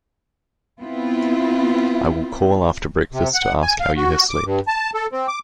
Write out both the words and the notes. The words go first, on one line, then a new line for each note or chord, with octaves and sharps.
I will call after breakfast to ask how you have slept.
B3 C4 E4 F4
C3
F#5
G#5
F5
F#4
D6
G2
A5
A4
C4
D6